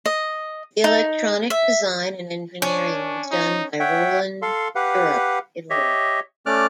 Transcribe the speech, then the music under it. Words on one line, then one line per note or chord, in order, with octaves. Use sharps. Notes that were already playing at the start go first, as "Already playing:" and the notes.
The electronic design and engineering was done by Roland Europe, Italy.
D#5
D#4
E5
C#4 D4
D#4
C#5 E5 F#5 G5
A4 F5 C6
G4 B4 F5 F#5
G4 C#5 D#5 E5
A3 C#4 D5 D6 F6 F#6